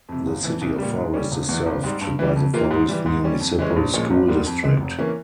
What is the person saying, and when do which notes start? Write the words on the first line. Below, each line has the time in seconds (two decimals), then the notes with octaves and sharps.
The City of Forest is served by the Forest Municipal School District.
0.09 F2 C3
0.26 G1
0.44 F2 E3
0.61 C2
0.78 A#2 G3
0.96 G#2
1.14 G3 C#4
1.31 E1
1.48 E2 E3
1.66 G#1
1.84 G#2 G3
2.01 G2
2.19 E3 G3
2.36 F2
2.54 E3 A#3 F4
2.71 G#2
2.88 E3 G3
3.06 G#2
3.24 G3 C#4
3.40 F2
3.59 E3 G#3 C#4
3.76 A#1
3.94 A#2 F3 G#3 C#4
4.10 G#1
4.28 G#2 G3 A#3
4.46 F2
4.63 C3 E3 G#3
4.81 F1
4.98 E3 A#3 C#4